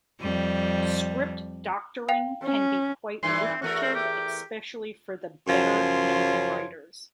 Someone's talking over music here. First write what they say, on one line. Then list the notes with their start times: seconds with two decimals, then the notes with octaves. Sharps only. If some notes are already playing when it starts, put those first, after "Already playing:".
Script-doctoring can be quite lucrative, especially for the better-known writers.
0.21 F2 G3
2.09 F5 G5 F7
2.43 C#4
3.23 G2 A#2 E3 C6
3.44 C4
3.62 E2 A3 F#4 A#4
3.82 C4
3.95 G4
5.48 F#2 C#3 F3 C#5 C6